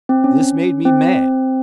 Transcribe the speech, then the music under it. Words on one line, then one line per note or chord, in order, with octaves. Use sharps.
This made me mad.
C4
C#4
C4